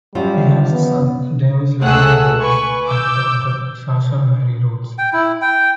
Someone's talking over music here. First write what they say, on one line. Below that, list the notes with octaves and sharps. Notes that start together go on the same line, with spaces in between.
He has a son, Davis Lamar Rhodes, and a daughter, Sasha Marie Rhodes.
F#2 F3 G3 F4
B3
C#2 A3 G#4 F#5 E6 F#6
B4 G#5 C#6
D6 E6 G6
G5
E4
G5